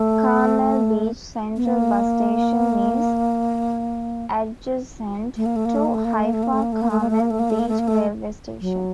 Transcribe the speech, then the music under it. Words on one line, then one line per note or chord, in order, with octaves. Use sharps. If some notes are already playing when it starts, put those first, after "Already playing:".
Carmel Beach Central Bus Station is adjacent to Haifa Carmel Beach Railway Station.
Already playing: A3
B3
A#3
A3
A#3
A3
A#3
A3
A#3
A3
A#3
A3
A#3
A3
A#3
A3
A#3
A3
A#3
A3
A#3
A3
A#3
A3
A#3
A3
A#3
A3
A#3
A3
F#3